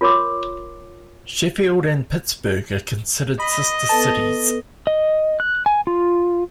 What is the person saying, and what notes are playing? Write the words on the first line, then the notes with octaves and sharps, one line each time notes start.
Sheffield and Pittsburgh are considered sister cities.
F4 A#4 C#5 C6 D6 E6
D#5 B5
B3 A4 B4 A5
D#5
F#6
G#5
F4